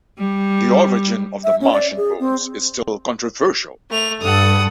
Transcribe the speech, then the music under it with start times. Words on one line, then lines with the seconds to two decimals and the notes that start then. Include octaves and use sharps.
The origin of the Martian moons is still controversial.
0.19 G3
1.44 E5
1.61 C#4
1.73 D5
1.97 G#4
2.20 C4
3.91 A3 F7
4.21 G2 A4 F#5 D#6